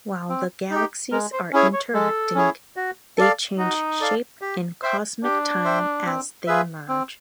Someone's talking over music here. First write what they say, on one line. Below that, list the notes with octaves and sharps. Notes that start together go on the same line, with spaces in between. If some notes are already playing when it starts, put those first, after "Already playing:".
While the galaxies are interacting, they change shape in cosmic time as they merge.
C4
D#4 G4
G#3 A#4
C5
C#4 E4 G#4 C#5
C#5
G#3 A4
C#4 E4 G#4 C#5
F#4
A4 D5 F5
D#4 F#4
A4 D5 F5
G4
C5 E5 G5
D4 G4
C5 E5 G5
C4
F4 G#4 B4 E5
C4